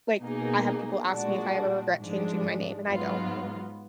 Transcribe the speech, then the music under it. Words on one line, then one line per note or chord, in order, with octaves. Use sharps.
like, I have people ask me if I ever regret changing my name, and I don't.
B2 A#3 D#4 G#4
A#2 G#3 D4 F#4
G#2 F3 G#3 D4
G#2 F#3 B3 F4